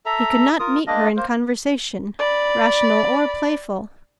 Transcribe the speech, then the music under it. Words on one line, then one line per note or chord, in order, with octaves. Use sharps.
He could not meet her in conversation, rational or playful.
A4 E5 A#5
F4 A#4 D#6
G#3 A#3 D4 D#5
A#3 C5
D5 B5